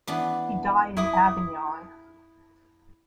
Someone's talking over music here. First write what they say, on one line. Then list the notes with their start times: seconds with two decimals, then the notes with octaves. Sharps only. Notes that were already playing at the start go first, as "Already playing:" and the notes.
He died in Avignon.
0.07 E3 B3 D4
0.97 E4 D6 D#6